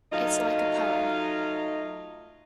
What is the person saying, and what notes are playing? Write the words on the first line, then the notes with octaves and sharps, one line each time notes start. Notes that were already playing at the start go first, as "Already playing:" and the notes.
It's like a poem.
F#3 A3 D#4 F4 D#5 F5